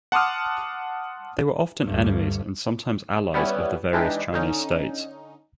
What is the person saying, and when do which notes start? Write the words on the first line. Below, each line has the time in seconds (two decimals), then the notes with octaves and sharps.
They were often enemies and sometimes allies of the various Chinese states.
0.12 F#5 A5 C6 D6 D#6 F6
1.85 D2 G2
3.34 G3 B3 C#4 E4 B4
3.93 E3 G#3 D4 D#4 G4 B4
4.33 D3 C#4 D#4